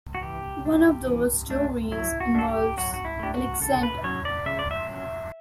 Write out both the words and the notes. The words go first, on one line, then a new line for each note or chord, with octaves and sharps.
One of those stories involves Alexander.
F#4
E3 G4
A3 D4
E3
A3 D4
F#3 E4
F#4
A3 D4 A4
G4
F#3 F#4
F#4
E4
A3 D4 G4
F#4
C#3 A4
B4
F#3 C#4 C#5
D5
C#3 E5
D5
E5
F#3 C#4